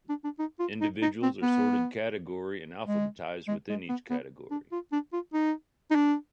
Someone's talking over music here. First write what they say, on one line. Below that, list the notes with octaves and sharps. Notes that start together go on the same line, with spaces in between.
Individuals are sorted by category and alphabetized within each category.
D4
D4
D#4
F4
D#4
D#4
C4
B3
G#3
G#3
G#3
B3
B3
D4
F4
D4
F4
D#4
D#4
D4